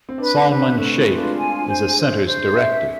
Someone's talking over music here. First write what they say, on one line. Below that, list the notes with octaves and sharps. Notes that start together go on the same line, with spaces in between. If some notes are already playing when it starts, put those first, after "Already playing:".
Salman Shaikh is the Center's Director.
C4
D4 B4
D4
C4 B4
A3 B4
G#3
F4
D4
G#5
C5
C5
C5
E5